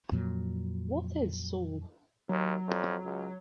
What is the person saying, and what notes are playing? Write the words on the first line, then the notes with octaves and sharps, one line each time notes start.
What Is Soul?
F2 A#2 F#3
D#2 F#3
F2
C#2